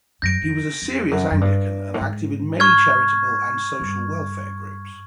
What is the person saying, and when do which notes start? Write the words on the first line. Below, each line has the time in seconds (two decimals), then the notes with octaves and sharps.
He was a serious Anglican and active in many charitable and social welfare groups.
0.22 F#2 G6 A#6 D7
0.42 F2
0.82 F2
1.11 F#2
1.31 F#2
1.41 G2
1.94 A2
2.01 G#2
2.60 C#6 F6 G#6
3.80 G2